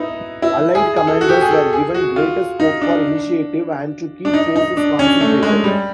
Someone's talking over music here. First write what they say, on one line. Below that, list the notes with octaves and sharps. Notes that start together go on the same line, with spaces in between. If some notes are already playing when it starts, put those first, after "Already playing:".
Allied commanders were given greater scope for initiative and to keep forces concentrated.
Already playing: B3 D#4 E4
E4
G#4
G#4
A4
F#4
G4
G#4
A4
G#4
F#4
F4
D#4
D4
D4
D#4
D#4
D4
C#4
A3
G#3
G3